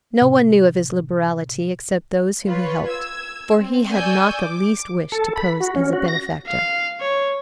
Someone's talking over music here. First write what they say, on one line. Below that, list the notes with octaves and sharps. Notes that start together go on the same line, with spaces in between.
No one knew of his liberality except those whom he helped, for he had not the least wish to pose as a benefactor.
A2 C3
F4 B4 C#5
E6 G#6
C4
D5 G#5 C#6 D#6 E6 G6
D6
A4
B5
F#4
C#4
F#4
A#6
F5
C#5